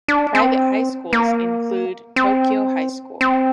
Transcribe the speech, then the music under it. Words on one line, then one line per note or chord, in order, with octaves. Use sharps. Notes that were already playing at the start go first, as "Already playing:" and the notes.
Private high schools include Tokyo High School.
D4
C4
A#3
C4
C4